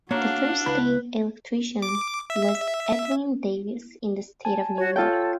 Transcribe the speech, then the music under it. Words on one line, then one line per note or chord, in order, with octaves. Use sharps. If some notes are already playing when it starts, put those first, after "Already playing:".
The first state electrician was Edwin Davis in the state of New York.
A#3 D4 F#4 C#5 F5
C#2 E4 B4 B5
D6
E5
G#5 A5
F#4 C#5
F4 A4 G5